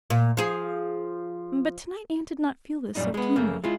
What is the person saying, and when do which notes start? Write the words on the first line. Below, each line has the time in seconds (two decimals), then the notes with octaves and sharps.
But tonight Anne did not feel this so keenly.
0.10 A#2
0.37 F3 G#4
2.95 F#2 A#2 C#3 G3 D4 D#4
3.14 G#3 B3
3.36 F#2 C#3 A3 A#3
3.64 G#3 E4 F4